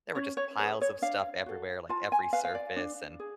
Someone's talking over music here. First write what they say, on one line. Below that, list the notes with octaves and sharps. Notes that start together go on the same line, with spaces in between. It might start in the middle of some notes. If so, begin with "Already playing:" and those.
there were just piles of stuff everywhere, like every surface and,
C#4 C#5
C#5
G#4 B4 C#5
C#5
D4 F5
F#4 A4
F4 A5
G#5
B4 F5
F5
D5
D4
G#4